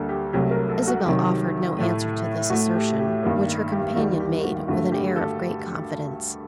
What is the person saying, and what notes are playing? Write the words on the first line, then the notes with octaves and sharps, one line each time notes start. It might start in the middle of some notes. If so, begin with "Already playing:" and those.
Isabel offered no answer to this assertion, which her companion made with an air of great confidence.
Already playing: D2 D3 G3 A#3 A4
G4
C2 C3 F#3 A3 G4
A#4
A4
F#4
C2 C3 D#3 F#3 G4
A2 A3
A2 A3 F#4
G4
G4
G2 D#3 G3 A#3
G4
D#2 D#3 G3 F#4
G4
F#4
G2 D3 A3 F#4
G4
A4